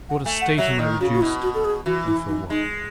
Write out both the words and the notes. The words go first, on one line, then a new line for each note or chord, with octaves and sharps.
To what a state am I reduced, and for what?
F#5
A3 G#5
F#5
F#3 E5
D#3 D#5
C#3 F#4
F#4
B2 E4
F#4
A4
G#4
E3 F#4
E4
D#4
G#3 D#4